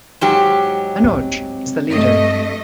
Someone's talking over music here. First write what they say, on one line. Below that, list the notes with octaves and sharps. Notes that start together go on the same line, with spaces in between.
Manoj is the leader.
G#2 F#3 G4
C4
G2 A3 D#5